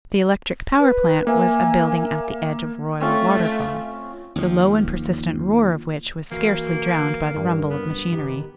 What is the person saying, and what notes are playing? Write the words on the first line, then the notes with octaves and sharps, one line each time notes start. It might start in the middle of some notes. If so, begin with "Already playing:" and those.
The electric power plant was a building at the edge of Royal Waterfall, the low and persistent roar of which was scarcely drowned by the rumble of machinery.
B4
A#3 E5 G#5
A3 C4 C#4 F4
D#2 F3
E3 A#3 F#4
G2 A#4
B1 F2 B3
D#3 G4